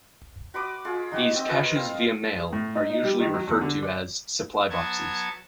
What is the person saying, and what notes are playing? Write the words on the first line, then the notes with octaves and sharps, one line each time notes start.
These caches-via-mail are usually referred to as "supply boxes".
F#4 B5 D6 D#6
F4 G#4
D#4 F#4 G4 D#6
C4 D#5
F4 G#4 A#4 B4
C4 F5
G#4
A2
D#4
D#4
G3
D#3
F#3
E2
D3
D5
F#3 B3 C#5 A5 C#6 G#6